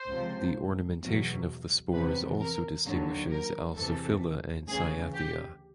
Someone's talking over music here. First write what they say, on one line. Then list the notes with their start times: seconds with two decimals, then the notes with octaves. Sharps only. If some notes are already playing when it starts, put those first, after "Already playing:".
The ornamentation of the spores also distinguishes "Alsophila" and "Cyathea".
Already playing: C5
0.10 C#2 C3 F3
1.02 E2 B2 F#3
1.93 E2 C3 F3 B4
2.40 A#4
2.85 D#2 D3 F#3
3.31 A#4
3.76 E2 C3 E3 A4
4.68 D2 C#3 E3 G#4
5.14 G4